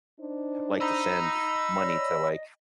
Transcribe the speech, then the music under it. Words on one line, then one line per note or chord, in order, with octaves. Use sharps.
liked to send money to, like,
D4 D#4 C5
D#5 A#5 B5 E6
C#5 D5